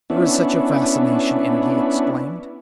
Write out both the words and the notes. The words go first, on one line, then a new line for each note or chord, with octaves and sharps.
"There is such a fascination in it!" he exclaimed.
B3 C#4 D4 E4